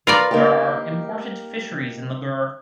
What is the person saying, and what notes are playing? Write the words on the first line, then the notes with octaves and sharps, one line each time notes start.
There are important fisheries in the Gur.
F4 A#4 B4 D5
A#3 D#4 G4